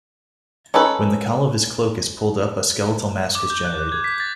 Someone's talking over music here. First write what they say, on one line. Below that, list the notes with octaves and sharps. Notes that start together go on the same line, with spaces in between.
When the cowl of his cloak is pulled up a skeletal mask is generated.
C#4 D#4 A4 B4
D6
G6
F#6
F#6
G#6
B6
A6